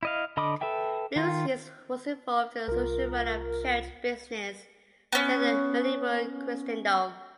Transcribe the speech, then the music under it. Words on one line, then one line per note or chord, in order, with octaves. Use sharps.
Lucius was involved in the usual running of church business throughout medieval Christendom.
E4 D#5 F5
D3 D#5 B5 D6 D#6
A4 B4 E5 G5
D#3 F4
C2 F4 A#4
B3 C#4